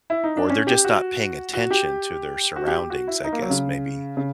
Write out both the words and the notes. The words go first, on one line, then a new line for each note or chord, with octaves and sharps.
or they're just not paying attention to their surroundings, I guess, maybe.
E4
D#4
D4
C#4
G4
F#4
F#4
G4
F#4
G4
G4
F#4
E4
D#4
A#3
F#3
C#3
C#3